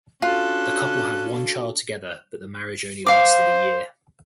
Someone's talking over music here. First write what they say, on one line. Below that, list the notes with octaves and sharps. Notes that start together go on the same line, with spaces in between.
The couple had one child together, but the marriage only lasted a year.
C#4 D4 F4 F#4 A4 F#6
C5 F5 D6